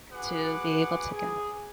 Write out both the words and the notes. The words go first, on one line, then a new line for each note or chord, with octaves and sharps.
to be able to get
F#4 G#4 B4 F#5 D6
G#4